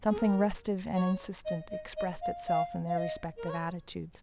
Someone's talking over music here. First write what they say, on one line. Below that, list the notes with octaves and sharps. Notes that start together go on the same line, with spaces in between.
Something restive and insistent expressed itself in their respective attitudes.
G#4
A#4
C#5
D#5
D#5
D#5
F5
F5
F5
D#5
A#4
C#5